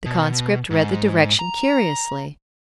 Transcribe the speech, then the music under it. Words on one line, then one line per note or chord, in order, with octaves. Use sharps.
The conscript read the direction curiously.
B2
G#2
A#5